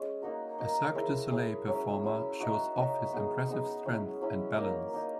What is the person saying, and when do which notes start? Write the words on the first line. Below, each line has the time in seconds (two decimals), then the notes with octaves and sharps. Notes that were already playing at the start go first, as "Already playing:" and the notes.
A Cirque de Solei performer shows off his impressive strength and balance.
Already playing: G#3 C#4 G#4
0.22 A#3 D#4 F#4 A#4
0.58 A#3 D#4 F#4 A#4
0.95 E4 G#4 C#5
1.30 E4 G#4 C#5
1.67 F#3 C#4 E4
2.04 F#3 C#4 E4
2.40 D#4 F#4 C#5 E5
2.76 D#4 F#4 C#5 E5
3.12 B3 D#4 G#4
3.48 B3 D#4 G#4
3.84 F#3 C#4 E4
4.21 F#3 C#4 E4
4.57 A#3 D#4 A#4
4.93 A#3 D#4 A#4